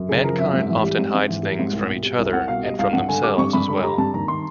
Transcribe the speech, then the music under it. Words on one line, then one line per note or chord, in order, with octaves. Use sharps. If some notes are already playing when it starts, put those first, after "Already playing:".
Mankind often hides things from each other and from themselves as well.
Already playing: F#2
C#3 G#4
F3 A#4
F#2 E5
G#2
E3
G3
G#2
G#2
E3
G3
G#2
C2
B2
G3
C2
C2 F#5
B2 F5
G3 D#5
C2 F5
G2 F#5
D3 G#5
G3 D6
G2 C#6
G2 B5
D3 B5
G3 A#5
G2 A5
D#2 A#5
D#3 C6